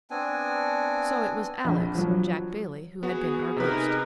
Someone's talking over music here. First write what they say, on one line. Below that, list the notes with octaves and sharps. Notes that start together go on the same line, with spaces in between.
So it was Alex, Jack Bailey, who had been our ghost.
B3 C4 D4 G#5
A#1 F2
F3 F#3
B3 F#4 G#4
C3 D#4 G#4 A#4 B4